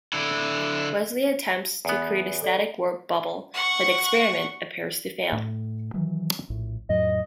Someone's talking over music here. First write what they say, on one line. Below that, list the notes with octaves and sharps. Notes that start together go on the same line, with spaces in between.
Wesley attempts to create a static warp bubble but the experiment appears to fail.
D3 E4
E2 B3
A4 D5
F#5 C#6
A2
D#3 E3 F#3
A#1 A2
F2 A2 F#3 D#5